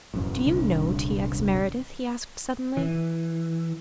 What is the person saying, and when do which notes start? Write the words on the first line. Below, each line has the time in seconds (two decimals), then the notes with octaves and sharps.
"Do you know T. X. Meredith?" he asked suddenly.
0.14 E1 F#2 A2
0.45 D#1 C2 D3
2.77 E3